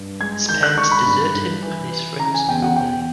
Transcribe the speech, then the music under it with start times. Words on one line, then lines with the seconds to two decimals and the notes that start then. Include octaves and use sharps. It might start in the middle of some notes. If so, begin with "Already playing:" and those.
His parents desert him and his friends move away.
Already playing: G2
0.20 G#3 G#6
0.49 D#3 G6
0.63 F#6
0.77 G#3 C#6
0.91 B5
1.06 G2
1.34 G2
1.63 E3
1.91 E3
2.19 C#3 A#5
2.34 G#5
2.48 E2 G5
2.62 F#5
2.77 E2 G5